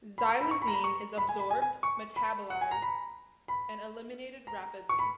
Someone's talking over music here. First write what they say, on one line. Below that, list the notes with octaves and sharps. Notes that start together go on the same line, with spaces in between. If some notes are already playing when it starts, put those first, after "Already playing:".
Xylazine is absorbed, metabolized, and eliminated rapidly.
B5
A#5
B5
C#6
B5
A#5
B5
C#6
B5
G#5
B5
G#5
G#5
C#6
B5
F#5
G#5
A#5
B5
B5
A#5
C#6
B5